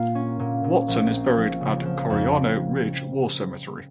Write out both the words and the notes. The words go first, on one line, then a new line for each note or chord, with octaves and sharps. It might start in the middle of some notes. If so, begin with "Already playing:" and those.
Watson is buried at Coriano Ridge War Cemetery.
Already playing: A#2 A#3 F4
C#4
A#2
A#2
A#1
C4
F3
C#3
F3
F2